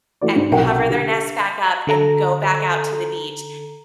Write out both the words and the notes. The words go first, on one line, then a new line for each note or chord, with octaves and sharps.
and cover their nest back up and go back out to the beach,
E3 A3 F#4 D5
G#2
B1 C3 A#4 F#5 G5
D3 G3
D3 A4 A#5